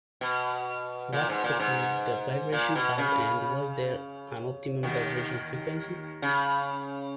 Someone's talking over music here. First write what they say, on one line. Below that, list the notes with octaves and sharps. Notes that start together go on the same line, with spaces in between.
What effect would the vibration have and was there an optimum vibration frequency?
B2
A#2
G#2
A#2
G#2
A#2
B2
C#3
D#2 D#3
C#3